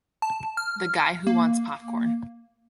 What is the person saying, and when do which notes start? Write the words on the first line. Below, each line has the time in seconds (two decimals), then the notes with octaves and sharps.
The guy who wants popcorn.
0.22 A5
0.57 F6
1.27 A#3